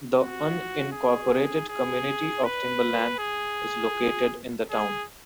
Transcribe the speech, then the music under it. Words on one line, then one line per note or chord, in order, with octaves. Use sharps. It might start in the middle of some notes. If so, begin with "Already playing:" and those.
The unincorporated community of Timberland is located in the town.
F#4
G#4
G#4
B4
G#4
G#4